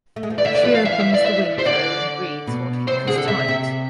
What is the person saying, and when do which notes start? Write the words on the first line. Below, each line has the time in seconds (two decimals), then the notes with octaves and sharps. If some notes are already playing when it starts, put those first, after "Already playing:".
She opens the window and reads what he has typed.
0.16 A3
0.23 G#3
0.30 F3
0.38 E3 D5
0.45 D3 E5
0.55 D5
0.65 F3 B4
0.75 F5
0.85 E3 E5
0.93 F5
1.00 E5
1.14 D5
1.26 E5
1.59 C5
1.66 D3 D5
2.47 B2
2.88 C3 C5
3.08 D3 G#4
3.18 A4
3.28 C3 E5
3.48 C3